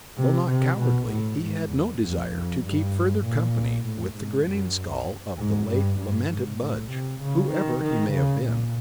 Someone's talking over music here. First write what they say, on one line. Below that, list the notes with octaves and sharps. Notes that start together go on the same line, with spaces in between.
Though not cowardly, he had no desire to keep further company with the grinning skull of the late lamented Budge, whoever he may have been.
C3
C3
B2
A2
G#2
E2
F2
F2
G2
A#2
A2
G#2
F#2
G#2
G2
G2
G#2
A2
C3
C#3
D#3
D#3
C#3
A#2